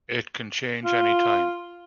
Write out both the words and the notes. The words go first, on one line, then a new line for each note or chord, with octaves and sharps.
It can change any time.
F4